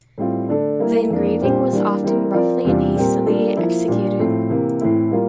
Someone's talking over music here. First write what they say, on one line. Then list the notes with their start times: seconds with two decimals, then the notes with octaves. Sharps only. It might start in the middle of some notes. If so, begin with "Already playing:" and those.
The engraving was often roughly and hastily executed.
0.18 A2 G3 C4 F4
0.49 D3 A3 D4 A4
0.80 G3 A#3 E4 A#4
1.10 F2 E3 A#3 D4
1.42 A#2 G3 C4 G4 C5
1.72 E3 G3 A#3 D4
2.03 E3 G3 C4 E4 A#4
2.34 F3 C4 F4 A#4 D5
2.65 E2 C3 G3 D4 F4
2.96 A#2 G3 C4 G4 A#4
3.26 G3 A#3 D4 F4 A4
3.57 F3 A#3 E4
3.88 A#2 G3 D4
4.19 A2 F3 A3 C4
4.50 C3 E3 A#3
4.81 A2 E3 A3 C4 E4
5.11 G3 A#3 F4 A#4